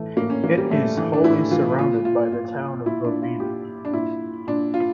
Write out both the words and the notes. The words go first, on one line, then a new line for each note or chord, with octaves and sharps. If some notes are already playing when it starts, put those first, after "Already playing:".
It is wholly surrounded by the Town of Bovina.
Already playing: A2 E3 A3
A2 A#3
C#4
E3 A#3
G3
A2 A3
E3
D4
A2 E4
E3 F4
A#2 F4
F4
A#2 F4
A#2 E4
D4
F4
A#2 G4
D4
A#2 E4
A#2 D4
F4